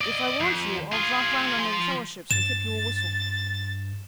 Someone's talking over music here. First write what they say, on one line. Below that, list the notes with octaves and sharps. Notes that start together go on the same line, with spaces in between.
If I want you, I'll drop round under the Fellowships and tip you a whistle.'
D5 D#5
F2
F4 G#4
F3 C6
G2 A6 E7